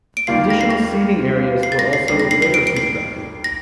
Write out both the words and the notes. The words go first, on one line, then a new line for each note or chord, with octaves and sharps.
Additional seating areas were also later constructed.
D7
D#2 D#3 G3 A#3 F4 C7
A#6
C7
A#6
C7
A6
A#6
C7
D#2 D#3 G3 C7
A#6
C7
C7
D7
D7
C7
A#6